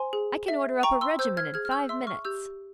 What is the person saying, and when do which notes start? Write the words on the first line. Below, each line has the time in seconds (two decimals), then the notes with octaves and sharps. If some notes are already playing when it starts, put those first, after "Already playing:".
'I can order up a regiment in five minutes.'
Already playing: C5 G#5 C6
0.13 G#4
0.48 E5
0.83 G5 A#5 C#6
1.01 C6 E6
1.19 C5 E6 G6
1.37 F6 G#6
1.54 G#4 F6 G#6
1.65 F6
1.72 E6 G6
1.89 E5 C6 E6
2.07 C#6 F6
2.25 G4 E6 G6